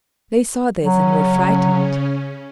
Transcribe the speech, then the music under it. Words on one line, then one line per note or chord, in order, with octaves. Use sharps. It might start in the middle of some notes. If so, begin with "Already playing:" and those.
They saw this, and were frightened.
C#3 F#3 C#4